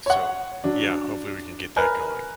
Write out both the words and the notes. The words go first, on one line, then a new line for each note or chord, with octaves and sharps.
so, yeah, hopefully, we can get that going.
C#5 F#5
F#3 D4
A#4 B4 G#5 A#5 F6 F#6